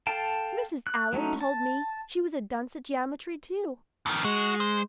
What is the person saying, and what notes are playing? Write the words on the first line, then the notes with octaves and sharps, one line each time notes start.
Mrs. Allan told me she was a dunce at geometry too.
A4 F5 G5 A5
F#6
F#3 A3 C#4 D#4
A5
F2 D#3
G#3 F#4
C5